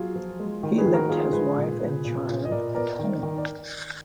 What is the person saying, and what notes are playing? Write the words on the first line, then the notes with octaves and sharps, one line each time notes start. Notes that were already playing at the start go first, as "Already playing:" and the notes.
He left his wife and child at home.
Already playing: F#3 F4 G#4
F3
G#3
D#3
G#4 B4
D#3
F#4 A#4
F3 F4 G#4
G#3 G#4 B4
A#2
B3
A#2
A#2
D#5
A#2 A#4 D5
B3 A#4 D5
D#3
D#3
D5